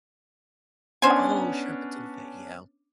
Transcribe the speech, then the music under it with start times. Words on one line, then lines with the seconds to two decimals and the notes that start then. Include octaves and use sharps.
Oh, shrimp étouffée, yeah.
1.02 B3 C#4 D4 C5 G#5